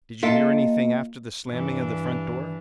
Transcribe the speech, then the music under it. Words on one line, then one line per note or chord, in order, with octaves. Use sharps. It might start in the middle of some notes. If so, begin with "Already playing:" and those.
"Did you hear anything after the slamming of the front door?"
A#3 F4 A4 D#5 E5
G2 E3 D4